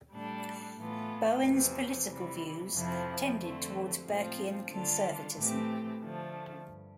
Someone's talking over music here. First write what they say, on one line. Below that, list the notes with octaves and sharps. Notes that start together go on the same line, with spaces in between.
Bowen's political views tended towards Burkean conservatism.
A2 G3 D4 A4
A2 E3 B3 F4 A4
E2 C3 F3 C4
C3 E3 G3
F2 C3 F3 C4 E4
F2 D3 A3 C4
A2 F3 C4 F4
D3 G3 D4 F4 A4
A2 E3 A3 C4 G4
D3 F3 A3
G2